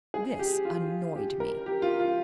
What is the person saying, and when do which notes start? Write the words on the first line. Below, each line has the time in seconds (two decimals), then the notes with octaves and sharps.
This annoyed me.
0.14 G#4
0.39 G4
0.65 F4
1.16 G4
1.40 A#4
1.66 G4
1.82 F4
2.00 F4